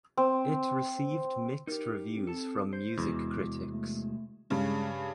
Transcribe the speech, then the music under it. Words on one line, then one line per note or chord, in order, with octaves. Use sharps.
It received mixed reviews from music critics.
C4
D#4 G4 A#4
C4
A4 A5
C5 G6
E2 C3 G#3 F#4 D6
A3
G2 C#3 G#3